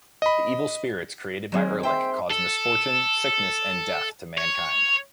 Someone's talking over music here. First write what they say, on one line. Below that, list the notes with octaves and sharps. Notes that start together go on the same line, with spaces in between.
The evil spirits created by Erlik cause misfortune, sickness and death to mankind.
D#5 B5
D#3 F#3 G#3 C4 G#4
C5 E5 G5 C6
A4
C#5